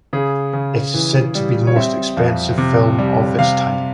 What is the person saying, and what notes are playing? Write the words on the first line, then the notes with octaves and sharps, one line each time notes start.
It is said to be the most expensive film of its time.
C#3 G#4
C#3
E3
G3
C#5
C4 E5
F2
C3
G3
C3 F5